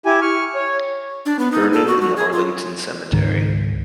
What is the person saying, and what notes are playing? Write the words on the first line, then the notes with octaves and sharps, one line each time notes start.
Vernon, and the Arlington Cemetery.
E4 G4 G#5
C#6 F6
C#5
D4
B3
D#4
A4
F#4
F#4
G#4
F4
C#2 G#2 D#3